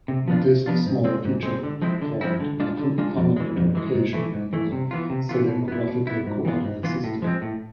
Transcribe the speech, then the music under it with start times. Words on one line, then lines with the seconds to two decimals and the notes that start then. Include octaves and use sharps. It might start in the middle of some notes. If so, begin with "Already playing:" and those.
This small feature formed the fundamental location in the selenographical coordinate system.
0.08 C3
0.28 F3 B3 D4 F4
0.47 C3
0.66 F3 B3 D4 F4
0.86 G#2
1.04 G#3 C4
1.25 G#2
1.43 G#3 C4
1.63 D3
1.82 F3 G#3 C4 E4
2.02 D3
2.21 F3 G#3 C4 E4
2.40 D3
2.60 G#3 D4 F4
2.79 D3
2.98 G#3 D4 F4
3.17 F2
3.36 E3 G#3
3.56 F2
3.75 E3 G#3
3.94 G#2
4.13 E3 A3 E4
4.33 G#2
4.53 E3 A3 E4
4.72 C3
4.91 E3 B3 F4
5.10 C3
5.29 E3 B3 F4
5.49 B2
5.68 B3 E4
5.88 B2
6.07 B3 E4
6.27 G#2
6.45 E3 B3 F4
6.65 G#2
6.83 E3 B3 F4
7.04 A2
7.22 F3 G#3 C4
7.42 A2